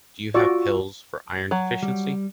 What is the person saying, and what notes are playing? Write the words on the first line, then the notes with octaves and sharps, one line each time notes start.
Do you have pills for iron deficiency?
F4 F#4 D5 C#6 E6
F#3
G3